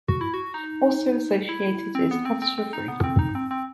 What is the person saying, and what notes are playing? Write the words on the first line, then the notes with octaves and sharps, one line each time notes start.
Also associated is "Ads for Free".
F#4
E4
F#4
D#4
E4
C4
B3
C4
C4
C4
D#4
B3
C4
D#4
C4
C4